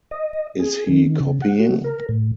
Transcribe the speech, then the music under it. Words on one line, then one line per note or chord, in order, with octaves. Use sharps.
Is he copying?
D#5
G#4
D#3
C#3
F#5
F#4
A#4
A2